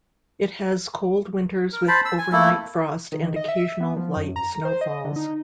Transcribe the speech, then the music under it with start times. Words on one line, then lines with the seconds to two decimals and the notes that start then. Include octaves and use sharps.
It has cold winters with overnight frost and occasional light snow falls.
1.72 A#4
1.88 C5 A5 B5
2.05 E6
2.18 G#5
2.32 A3 A#3 E4 A4
3.12 D#3
3.36 D#5
3.48 E5
3.80 B3
3.96 F3
4.17 F#2
4.36 A#5
4.65 C5
4.81 D#5
5.05 D3
5.16 D#4